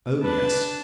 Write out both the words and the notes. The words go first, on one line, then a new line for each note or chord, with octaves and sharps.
Oh, yes!
D4 B4 A5